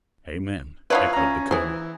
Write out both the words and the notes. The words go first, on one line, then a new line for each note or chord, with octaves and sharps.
"Amen!" echoed the colonel.
F3 D4 E4 B4 C#5 F5
C#4 A#5
E3 E4 G#4 C5